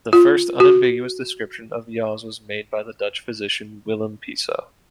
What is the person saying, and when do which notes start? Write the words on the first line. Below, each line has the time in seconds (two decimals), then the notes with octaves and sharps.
The first unambiguous description of yaws was made by the Dutch physician Willem Piso.
0.13 F4
0.60 F#4